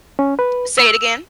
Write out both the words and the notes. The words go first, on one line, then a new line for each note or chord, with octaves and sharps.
Say it again?
C#4
B4
E6